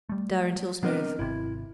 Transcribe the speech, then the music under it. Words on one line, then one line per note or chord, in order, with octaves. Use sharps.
Stir until smooth.
G3 A3
F#3 B3 C4 D4 A#4 D#5
G#1 C3 E4